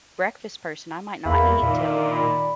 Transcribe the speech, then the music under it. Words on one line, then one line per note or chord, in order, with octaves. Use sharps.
breakfast person; I might not eat till,
E2 A#3 E5 F5 B5
A#2 D#3 D5 E5 F5
B5